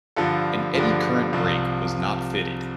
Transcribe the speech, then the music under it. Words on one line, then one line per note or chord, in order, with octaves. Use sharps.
An eddy current brake was not fitted.
G2 D3 F3 F4 A4
G2 D3 F3
C2 C3 F3